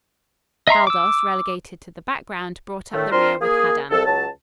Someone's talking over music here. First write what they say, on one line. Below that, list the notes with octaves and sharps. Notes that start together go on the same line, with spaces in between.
Baldos, relegated to the background, brought up the rear with Haddan.
D#5 E5 A#5 C6
D6 E6
A2 D3 D#3 A3
C4 D4 F4 A#4 C5
A#3 G#4
C2 A4
C#2 F#3 A5